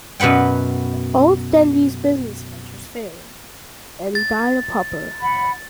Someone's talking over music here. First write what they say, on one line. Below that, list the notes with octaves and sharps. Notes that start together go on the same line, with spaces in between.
All of Dendy's business ventures failed, and he died a pauper.
F#2 B2 B4 F#5 G5
A6
F#5 B5